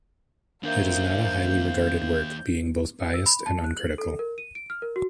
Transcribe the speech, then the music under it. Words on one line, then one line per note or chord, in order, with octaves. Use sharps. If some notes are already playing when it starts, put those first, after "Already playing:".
It is not a highly regarded work, being both biased and uncritical.
D#2 D4 A#4 C5 E5 F5 G6
E6
B5
A5
F#6
F#7
A4
A#4
D#7
D7
F6
A#4
F#4